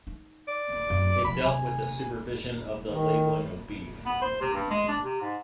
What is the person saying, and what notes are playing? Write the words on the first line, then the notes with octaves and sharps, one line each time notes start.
It dealt with the supervision of the labeling of beef.
D#4
D5
F#2
C2 F3 B5
C3 G#5
D#3
B3
C5
C3
G2
G#3
D4
C3
G#2